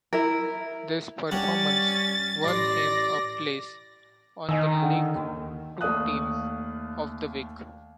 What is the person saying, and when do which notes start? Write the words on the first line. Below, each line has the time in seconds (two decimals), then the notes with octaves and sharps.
This performance won him a place on the League Two team of the week.
0.13 E4 A#4
1.31 G3 C#4 D4 F#5 A6
2.44 A1 D5 C6 A#6
4.49 D#3 D#5 G#5 E6
4.82 D3
5.15 D#2
5.81 D#2 A3 D5 F5 D#6 F#6